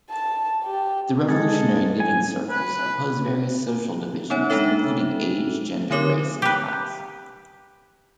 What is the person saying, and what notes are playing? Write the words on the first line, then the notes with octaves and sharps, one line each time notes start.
The Revolutionary Knitting Circles oppose various social divisions, including age, gender, race and class.
A5
G4
G#3 A4
G#5
B4
B3 C#4 D#4 C#5
G#3 D4 D#4 A4 E5
D3 D#4 G4 A#4 C#5 D6
G4 B4